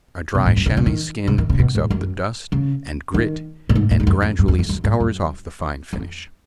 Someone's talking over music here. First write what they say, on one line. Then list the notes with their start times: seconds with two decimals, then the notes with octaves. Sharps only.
A dry chamois skin picks up the dust and grit and gradually scours off the fine finish.
0.35 B2
0.46 G#2
0.56 F#2
0.66 C#3
0.77 C#3
0.86 D#3
1.28 C#3
1.38 D#3
1.49 C#3
1.59 B2
1.75 G#2
1.90 F#2
2.52 C#3
3.14 D#3
3.69 A#2
3.75 G#2
3.91 A#2
4.00 G#2
4.07 F#2
4.22 F2
4.39 F#2
4.48 F2
4.59 F2
4.69 F#2
4.84 G#2
5.00 F#2
5.93 F2